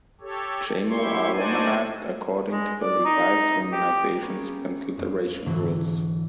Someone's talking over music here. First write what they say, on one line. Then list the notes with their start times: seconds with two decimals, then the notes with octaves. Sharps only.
Jamo are romanized according to the Revised Romanization's transliteration rules.
0.21 G4 A4 C#5
0.89 E4 G4 C6 C#6
1.33 D4 D#4 F#4 C5 D5 G#5
2.52 G#3
2.82 D5
3.05 D#4
3.72 G4
4.21 A#3 B3 C#4 G#4
4.97 F2
5.46 G#2 D3 E3 F#3